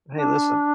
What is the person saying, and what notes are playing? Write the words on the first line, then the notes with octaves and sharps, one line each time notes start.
Hey listen
D4